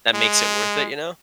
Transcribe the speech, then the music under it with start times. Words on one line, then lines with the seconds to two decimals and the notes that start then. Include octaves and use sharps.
that makes it worth it, you know?
0.14 G#3